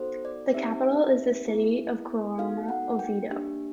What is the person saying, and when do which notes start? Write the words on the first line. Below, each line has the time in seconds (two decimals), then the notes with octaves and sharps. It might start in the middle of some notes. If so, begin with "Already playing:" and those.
The capital is the city of Coronel Oviedo.
Already playing: B3 D#4 F#4 A4 C5
0.25 D5
0.54 C4 D#4 G4 E5
1.47 B3 E4 G#4
2.38 B3 D#4 F#4 A4 F5
2.69 F#5
2.99 G5
3.30 A#3 D4 G4